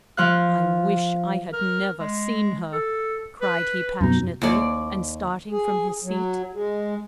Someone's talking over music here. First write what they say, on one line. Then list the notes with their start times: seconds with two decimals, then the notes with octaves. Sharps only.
"I wish I had never seen her," cried he passionately, and starting from his seat.
0.17 F3 F5 F#6
1.53 A#4
1.99 G#3
2.72 A4
3.41 B4
4.01 F#2 B2 D#4
4.42 D#2 D5
5.51 G#4
6.04 F#3
6.53 G#3